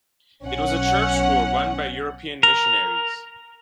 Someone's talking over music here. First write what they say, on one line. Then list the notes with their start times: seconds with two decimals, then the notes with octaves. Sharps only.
It was a church school run by European missionaries.
0.43 B1 C#4 F#5
2.43 A#4